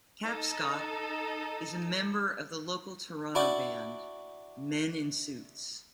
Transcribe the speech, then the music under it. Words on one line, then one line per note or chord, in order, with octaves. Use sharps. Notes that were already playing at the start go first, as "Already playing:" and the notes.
Tapscott is a member of the local Toronto band, Men in Suits.
D#4 A4 D#5 A5
D4 E4 F#4 D5